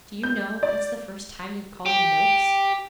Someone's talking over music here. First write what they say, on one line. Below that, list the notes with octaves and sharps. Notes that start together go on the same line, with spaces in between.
'Do you know, that's the first time you've called me "Noakes"?'
G6
D5
G4